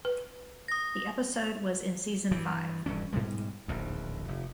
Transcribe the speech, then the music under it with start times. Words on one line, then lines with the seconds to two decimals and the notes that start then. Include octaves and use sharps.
The episode was in season five.
0.05 B4
0.68 D#6 A#6
2.31 G2 E3
2.86 D#1 G2 E3 C#4
3.13 G#2 B2 G3 G#3
3.68 D1 A#1 D#2
4.28 F1